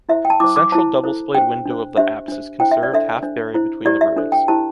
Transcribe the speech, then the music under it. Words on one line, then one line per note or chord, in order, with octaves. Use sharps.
The central double splayed window of the apse is conserved half buried between the ruins.
E4 C5 E5
G5
A5
E4 C5 D6
D6
E4 C5 A5
E4 A4 C5
D4 G4 C5 G5
D4 C5
D4 G4 C5 E5
D4 C5
E4 C5 G5
E5
D5
D4 A4 C5 E5
D4 C5
E4 C5
E4 G4 C5 D5
E5
D4 A4 C5
G5
E4 G4 C5 A5